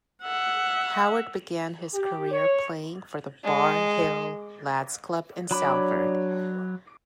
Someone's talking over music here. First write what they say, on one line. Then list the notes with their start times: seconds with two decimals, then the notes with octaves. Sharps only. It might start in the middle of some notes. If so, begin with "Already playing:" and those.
Howard began his career playing for the Barr Hill Lads Club in Salford.
0.23 E5 F#5
1.94 G4
2.32 C#5
3.44 G#3
5.51 F#3 D4 C#5 B5 D6